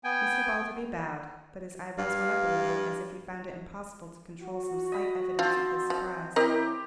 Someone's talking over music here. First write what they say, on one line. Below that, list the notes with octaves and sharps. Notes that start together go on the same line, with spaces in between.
Mr. Balderby bowed, but his eyebrows went up a little, as if he found it impossible to control some slight evidence of his surprise.
B3 G5 G#5
G2 F5
F#4
D#5 B5
C4 F4 C5 A5
F3
E3 C4 C#4 E4 G4 A#4 D#5